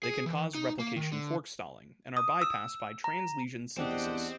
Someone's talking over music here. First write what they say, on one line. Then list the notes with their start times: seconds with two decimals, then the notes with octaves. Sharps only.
They can cause replication fork stalling and are bypassed by translesion synthesis.
0.03 G#4
0.26 E3
0.55 D#4
0.79 A#3
0.96 D#3
1.12 D3
2.17 D#6
2.42 E6
3.04 A#5
3.78 E2 C4 D4 G4 D#5 F#5